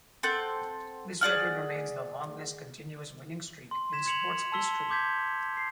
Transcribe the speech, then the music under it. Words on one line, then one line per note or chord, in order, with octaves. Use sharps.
This record remains the longest continuous winning streak in sports history.
C4 A4 F#5 G6
G#4 D5 F#5 F6
C6
G#6 B6 E7
C6 G#6 C#7 F7 F#7
A5 C6 E6 B6 G7
C6 D6 G6 G#6 B6
C7